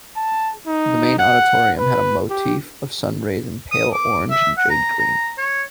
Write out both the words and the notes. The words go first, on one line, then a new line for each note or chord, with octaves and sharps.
The main auditorium had a motif of sunrays in pale orange and jade green.
A5
D#4
F#5
B4
G4
D#6
D6
E5
F#5
A#5
A#5
C#5